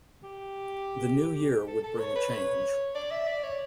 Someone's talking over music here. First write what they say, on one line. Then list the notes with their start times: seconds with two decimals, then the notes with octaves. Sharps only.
The new year would bring a change.
0.24 G4
1.67 A4
1.84 A4
1.99 C#5
2.16 B4
2.31 C#5
2.95 D5
3.11 E5
3.28 D5
3.43 C#5